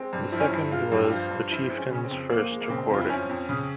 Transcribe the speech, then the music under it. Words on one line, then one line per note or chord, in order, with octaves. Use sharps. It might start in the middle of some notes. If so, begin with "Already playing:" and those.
The second was the Chieftains first recording.
Already playing: G#3 C4
G2
F3 E4
C#4
G2 E4
G#3 F4
G2
G4
F3 F4
G2
F3 E4
G#3 C4
C#4
C#3 C#4
C4
F2
F3 A#3
G#3
A#3
C#3 C4
F2 F4
E4
F3 C#4
F2
C#3